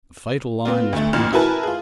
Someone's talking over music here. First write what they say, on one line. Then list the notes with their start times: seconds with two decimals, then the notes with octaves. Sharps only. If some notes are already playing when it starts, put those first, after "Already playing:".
The fatal line was past.
0.65 B3 C4 F4
0.93 D2 A3
1.13 A1 A#2 F6
1.33 E4 F#4 A#4 B4 G#5 A5
1.63 F4 G#4